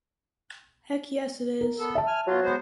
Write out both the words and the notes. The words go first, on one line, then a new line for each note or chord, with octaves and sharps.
Heck yes it is.
A#4
B3 A4
E5 A5
G#5 F6
B2 F#3 F4
G#3 B3 C5